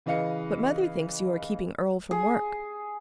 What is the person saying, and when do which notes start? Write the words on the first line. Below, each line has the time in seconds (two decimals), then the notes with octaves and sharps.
"But mother thinks you are keeping Earle from work."
0.06 C#3 E3 B4 D#5 F5 C#7
2.11 G#4